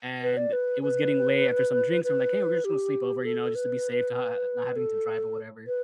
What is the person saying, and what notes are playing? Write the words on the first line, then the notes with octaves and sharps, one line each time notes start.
and it was getting late after some drinks. I'm like, "Hey. We're just gonna sleep over, you know, just to be safe, to ha ha not having to drive or whatever,"
B4
D5
B4
B4
B4
G4
A4
B4
A4
B4